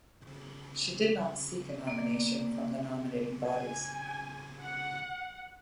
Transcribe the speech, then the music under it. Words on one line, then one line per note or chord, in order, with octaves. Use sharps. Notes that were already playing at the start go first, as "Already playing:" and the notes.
She did not seek a nomination from the nominating bodies.
A#3 D5
G#5
F#5